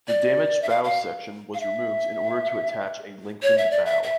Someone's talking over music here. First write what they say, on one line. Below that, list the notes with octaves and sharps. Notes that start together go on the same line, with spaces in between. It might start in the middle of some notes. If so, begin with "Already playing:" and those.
The damaged bow section was removed in order to attach a lengthened bow.
D5
E5
F5
F5
F5
E5
C#5
E5
D5
E5
E5